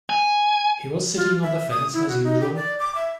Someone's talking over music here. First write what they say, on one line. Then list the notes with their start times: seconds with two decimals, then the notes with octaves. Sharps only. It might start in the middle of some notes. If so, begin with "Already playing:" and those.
He was sitting on the fence, as usual.
0.10 G#5
1.16 F4
1.42 E5
1.70 D#6
1.94 E4
2.09 F#4
2.24 D#4
2.40 G4
2.55 D5
2.79 D6
2.95 E5